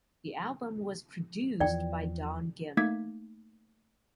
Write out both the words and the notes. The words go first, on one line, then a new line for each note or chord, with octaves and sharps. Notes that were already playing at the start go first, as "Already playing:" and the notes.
The album was produced by Don Gehman.
E2 E3 F3 D5 G5
A3 A#3 D#4 D6 G#6 B6